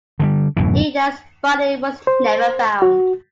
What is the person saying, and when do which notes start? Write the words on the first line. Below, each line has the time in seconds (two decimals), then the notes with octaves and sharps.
Ida's body was never found.
0.20 D3 D#3 G3
0.57 D1 F#2 B2 E3
2.07 C5
2.82 F#4